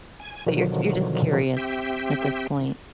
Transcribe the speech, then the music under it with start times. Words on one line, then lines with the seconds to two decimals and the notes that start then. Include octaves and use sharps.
But you're you're just curious at this point.
0.20 G#5
0.46 B2 D3 D#3 F3 F#3
1.57 C4 G4 E5 G5